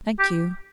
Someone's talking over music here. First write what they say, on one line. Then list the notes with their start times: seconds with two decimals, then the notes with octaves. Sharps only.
"Thank you."
0.19 G4